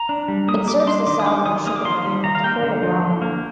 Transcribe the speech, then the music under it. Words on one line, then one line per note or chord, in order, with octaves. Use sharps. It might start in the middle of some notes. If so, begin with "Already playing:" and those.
It serves the southern shipping lane of the Port of Rauma.
Already playing: A#5
D4
G3
A#3 D#6
G3 D6
D6
D4 C6
D#3 D6
D#6
G3 D6
D#3 D#6
A#3 D#6
D6
D#3 C6
G3
D#3 A#5
F5
A#3 G5
D3
F3
D3
A#3